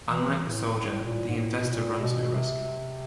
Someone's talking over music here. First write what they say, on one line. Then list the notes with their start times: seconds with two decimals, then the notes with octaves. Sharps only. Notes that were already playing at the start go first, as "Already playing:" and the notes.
Unlike the soldier, the investor runs no risk.
0.08 E3
0.40 A2
1.04 A#2
1.28 G#2
1.36 A2
1.59 B2
1.69 A#2
2.01 B2
2.34 C3